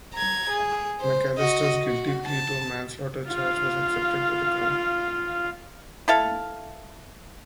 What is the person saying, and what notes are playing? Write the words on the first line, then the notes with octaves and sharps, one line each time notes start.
McAllister's guilty plea to a manslaughter charge was accepted by the Crown.
A#5 G#6
G#4
C5
F#4 D#5
F#4
A5
F4 F5
E4 A4 F5